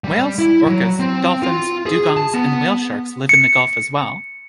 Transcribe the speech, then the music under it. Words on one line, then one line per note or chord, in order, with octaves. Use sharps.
Whales, orcas, dolphins, dugongs, and whale sharks live in the gulf as well.
G3
E4
F#3
C4
F4
G#4
A5
B3
C#7